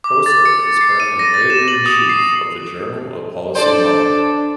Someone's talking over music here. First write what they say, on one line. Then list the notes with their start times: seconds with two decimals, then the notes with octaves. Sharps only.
Costa is currently Editor-in-Chief of the Journal of Policy Modelling.
0.04 D6
0.26 A6
0.45 C#7
0.81 C7
1.00 D#7
1.19 A#6
1.34 A6
1.50 E7
1.68 F#7
1.86 D#6
2.09 C7
3.55 D4 A4 C5 D5